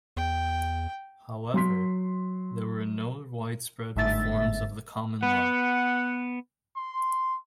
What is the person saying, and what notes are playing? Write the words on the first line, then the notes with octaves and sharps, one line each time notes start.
However, there were no widespread reforms of the common law.
E2 G5
F#3 C6 B6
G1 G#2 A3 E5 A6
B3 F#5
C6